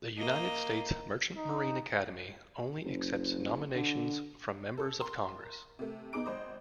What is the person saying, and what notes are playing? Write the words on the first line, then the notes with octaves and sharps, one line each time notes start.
The United States Merchant Marine Academy only accepts nominations from members of Congress.
A#3 D#5
D#4
F#1
D3
A4
A#4 C6
C3 A3
B2 B3 D#4 G#4 D6 D7
G#1 C5 D#5